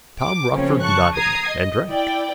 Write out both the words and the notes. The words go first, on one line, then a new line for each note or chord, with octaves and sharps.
Tom Rochford nodded and drank.
D6
C#3 F3 A#3 C4 C#4
A5 C#6 F#6
A#5 D#6 G#6 C7
D#5
E4 D5 G5